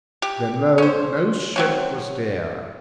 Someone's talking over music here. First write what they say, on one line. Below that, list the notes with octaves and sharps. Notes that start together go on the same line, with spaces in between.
When lo! no ship was there!
G4
C#4 C5
F#3 C4 C#4